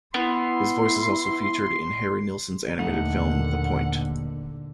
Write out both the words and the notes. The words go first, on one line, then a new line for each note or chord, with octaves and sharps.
His voice is also featured in Harry Nilsson's animated film The Point!
B3 E4 C6
A#1 D#2 D3 D#3 A3 D#4 F#5